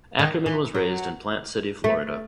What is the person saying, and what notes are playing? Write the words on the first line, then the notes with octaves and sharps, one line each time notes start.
Ackerman was raised in Plant City, Florida.
D#3
E3
F#3
A3